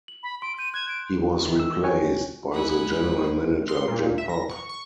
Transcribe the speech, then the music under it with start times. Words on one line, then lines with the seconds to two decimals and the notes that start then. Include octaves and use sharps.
He was replaced by the general manager Jim Popp.
0.08 F#7
0.23 B5
0.42 C6 D7
0.59 G6 D#7
0.74 F#6 G#6 E7
0.89 D7
1.45 D#3 E3
1.60 E6
1.83 G4 C#5 G#5
2.52 G#3 D#4 E4 F#5 G#5 B5
3.02 C5
3.68 C6
3.88 A#2
4.18 E5
4.29 A#6
4.49 C#6
4.69 C#6